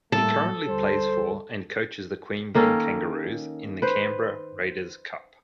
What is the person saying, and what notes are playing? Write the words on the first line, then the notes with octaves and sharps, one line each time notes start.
He currently plays for and coaches the Queanbeyan Kangaroos in the Canberra Raiders cup.
A2 G3 A3 A#3 A4
D2 G3 C5
D#3 A#3 C#4 A4
B4 C5